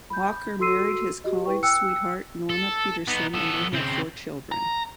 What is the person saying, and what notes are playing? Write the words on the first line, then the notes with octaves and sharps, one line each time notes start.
Walker married his college sweetheart, Norma Peterson, and they had four children.
B5 G6
F#4 A4 C6 E6 C7 D#7
F#4 G4 D#5
E4 B4 G5 C#6
G5 G#5 E6 F#6 C#7
A4
B3 D#4
B3 A4
C#3 C4
A#5